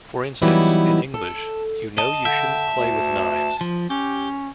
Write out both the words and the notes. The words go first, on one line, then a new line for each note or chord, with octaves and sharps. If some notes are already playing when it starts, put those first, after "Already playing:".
For instance, in English, You know you shouldn't play with knives!
E3 F#3 G3 B3 D#4 E4
A4
D#5 A5
D3 E5 G5
D2
F3
C#4 G4